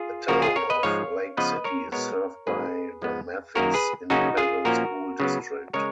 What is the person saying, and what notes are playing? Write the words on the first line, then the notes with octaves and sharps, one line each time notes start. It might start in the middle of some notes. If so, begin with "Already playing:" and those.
The Town of Lake City is served by the Mathis Independent School District.
Already playing: F4 G#4
C#3 F3 A#3 F#4 A#4
F4 G#4
A#4 C#5
B4 D#5
G#2 F3 G#3 C#5 F5
C#3 F3 B3 B4 D#5
A#4 C#5
B2 G#3 B3 A#4 C#5
G#2 D#3 F#3 A#3 G#4 B4
G#2 F3 G#3 B3
F#2 D#3 A#3 C#4 F#4 A#4
G#4 B4
C#3 F#3 A#3 C#4 D#4 F#4
F4 G#4
A#2 F3 A#3 C#4 F#4 A#4
C#3 F#3 B3
C#3 G#3 A#4 C#5